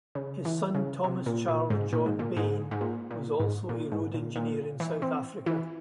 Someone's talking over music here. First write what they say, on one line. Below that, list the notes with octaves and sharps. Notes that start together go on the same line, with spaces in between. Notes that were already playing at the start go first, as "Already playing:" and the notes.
His son Thomas Charles John Bain was also a road engineer in South Africa.
C#3
E3
C#3
C3
A#2
A#2
G#2
A#2
G#2
A#2
G#2
G#2
A#2
A#2
G#2
A#2
G#2
A#2
A#2
E3
C4
E3